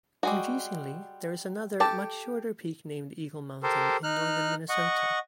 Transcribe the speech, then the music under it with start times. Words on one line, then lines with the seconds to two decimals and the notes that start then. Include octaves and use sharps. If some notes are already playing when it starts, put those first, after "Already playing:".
Confusingly, there is another, much shorter, peak named Eagle Mountain in northern Minnesota.
0.23 G3 G#3 F#4
1.80 G4 A4 A5
3.63 G4 A4 A#4 C5
4.03 D#4 F6 F#6
4.69 D#5 F#5 C#6